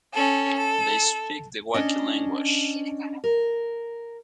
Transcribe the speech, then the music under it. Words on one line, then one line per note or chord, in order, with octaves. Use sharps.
They speak the Wakhi language.
C#4 A4
A4
C#4 D4 D#5
A#4